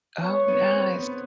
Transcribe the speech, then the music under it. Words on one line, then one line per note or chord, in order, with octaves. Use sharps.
Oh, nice.
B3 C#5
B3
C4
B3